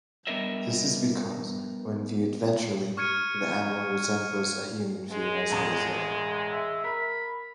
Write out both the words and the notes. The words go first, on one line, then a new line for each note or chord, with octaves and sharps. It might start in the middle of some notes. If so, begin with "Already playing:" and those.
This is because, when viewed ventrally, the animal resembles a human female's genitalia.
G3 B3 D4 A#4 D#5 E5
C#6 F6 G#6 C#7 D#7
G#3
E1 A1 A5
E5
A#4 B5